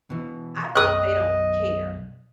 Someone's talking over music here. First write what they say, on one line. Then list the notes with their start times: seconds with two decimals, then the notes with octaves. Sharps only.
I think they don't care.
0.10 B2 E3
0.75 B1 F#2 D#5 D#6 F#6